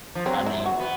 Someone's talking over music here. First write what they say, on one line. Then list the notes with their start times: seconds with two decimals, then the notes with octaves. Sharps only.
I mean,
0.15 F3
0.26 F#3 C4
0.46 E4
0.66 F#4
0.80 B3